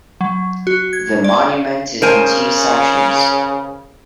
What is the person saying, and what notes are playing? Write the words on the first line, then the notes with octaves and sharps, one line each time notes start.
The monument is in two sections.
F#3
F#4
G#6
D5
C#3 A#4 C5 G#5